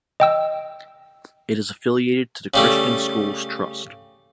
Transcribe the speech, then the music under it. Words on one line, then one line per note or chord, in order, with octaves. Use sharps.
It is affiliated to the Christian Schools Trust.
D#5 G5 E6
C#3 G3 A3